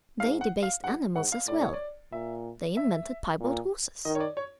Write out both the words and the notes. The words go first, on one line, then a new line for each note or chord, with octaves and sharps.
They debased animals as well; they invented piebald horses.
G#2 F5
F#5
F5
G2 F#5
G#2 F#5
F5
A2 D5
C#5
D5
A#2 E5
E5
A#2
D#3 D#5
C#5
D5
C#5